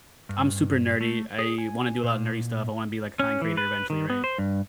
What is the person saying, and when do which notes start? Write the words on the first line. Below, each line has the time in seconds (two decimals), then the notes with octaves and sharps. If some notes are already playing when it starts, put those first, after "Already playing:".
I'm super nerdy, I wanna do a lotta nerdy stuff, I wanna be, like, a content creator eventually, right?
0.29 G2
1.01 A3
1.39 G#4
1.58 G#5
2.03 A#2
3.19 C#4
3.41 E3
3.57 B4
3.90 D#3
4.10 B3
4.24 C5
4.38 G2